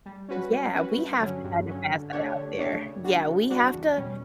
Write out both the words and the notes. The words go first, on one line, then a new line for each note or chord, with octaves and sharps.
Yeah, we have to kind of pass that out there. Yeah, we have to
G3
C#4 F#4 B4
G3
C#4 F#4 B4
G2
D3 F#3 C#4
G2
D3 F#3 C#4
D3
A3 D4 G4 C#5
D3
A3 D4 G4 C#5
C#3
G3 D4 F#4
C#3
G3 D4 F#4
E2
B2 G3 C#4